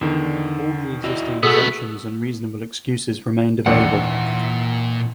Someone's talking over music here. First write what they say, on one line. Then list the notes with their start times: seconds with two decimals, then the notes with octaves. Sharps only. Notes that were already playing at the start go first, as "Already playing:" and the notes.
All the existing exemptions and reasonable excuses remained available.
0.01 E2 D3 D#3
1.04 E4 F#4 D#5
1.43 B2 A3 B3 F#4 G#4 A4
3.66 G#1 D#2 A#2 E3 D4 F#5